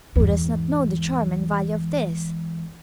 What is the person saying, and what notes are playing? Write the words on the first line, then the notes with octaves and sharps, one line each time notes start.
Who does not know the charm and value of this?
E2 G#2